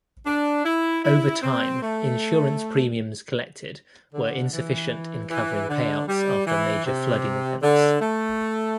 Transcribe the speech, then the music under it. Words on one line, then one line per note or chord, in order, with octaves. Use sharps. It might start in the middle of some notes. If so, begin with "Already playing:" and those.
Over time, insurance premiums collected were insufficient in covering payouts after major flooding events.
D4
E4
E4
C4
A3
D3
E3
E3
D3
G3
E3
C3
D3
A3